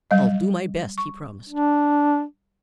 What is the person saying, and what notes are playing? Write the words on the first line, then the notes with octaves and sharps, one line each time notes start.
"I'll do my best," he promised.
F#3 G3 D#5
C#6
D4